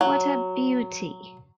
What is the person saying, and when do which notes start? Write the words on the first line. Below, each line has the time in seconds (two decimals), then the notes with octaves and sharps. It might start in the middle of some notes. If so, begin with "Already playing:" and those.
What a beauty!
0.01 F#3